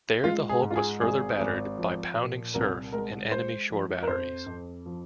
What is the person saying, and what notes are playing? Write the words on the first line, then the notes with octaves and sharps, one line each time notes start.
There the hulk was further battered by pounding surf and enemy shore batteries.
G#3 F4
G#4
G#2
F4
G#4
G#1 G#4
G#1
F3
A#2
C2 A#4
G#3 A#4
G#3 C5
F3
A#4
F2 C5
F2
F3